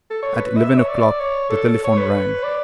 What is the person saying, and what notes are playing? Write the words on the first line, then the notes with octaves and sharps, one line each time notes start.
At eleven o'clock the telephone rang.
A4
C#5
B4
E5
C#5
D5
C#5
A4
C#5
B4
D5